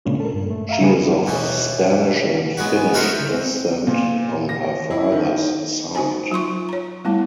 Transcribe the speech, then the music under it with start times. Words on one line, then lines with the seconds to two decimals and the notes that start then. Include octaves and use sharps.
She is of Spanish and Finnish descent on her father's side.
0.05 A#2 C#3 G#3 C#4 D4
0.20 A4 A#4
0.34 G2
0.50 A3
0.69 E5 F5 A#5
0.81 C#3 F#3 G3 A3 G#4 B4
1.26 D#2 B2 E3
2.57 G#3 B3 F#4
2.94 A3 F#4 A#4 C5 D#5 E5
3.29 C4
3.87 A#2
4.49 A#6
4.91 E4
5.12 D#3
5.95 D#4 F#4 C5 G#5 A#5
6.31 F#3 F4 C6 C#6
6.69 C#5 A#5
7.05 G3 A3 B3 E4